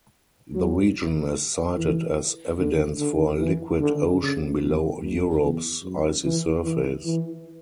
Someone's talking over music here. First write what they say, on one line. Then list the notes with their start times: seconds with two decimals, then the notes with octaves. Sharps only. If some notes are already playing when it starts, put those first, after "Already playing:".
The region is cited as evidence for a liquid ocean below Europa's icy surface.
0.55 F#3
1.77 E3
2.59 D3
2.99 D3
3.39 E3
3.80 D3
4.20 C#3
4.62 E2
5.02 F#2
5.43 E2
5.84 F#2
6.24 E3
6.65 E3
7.06 E3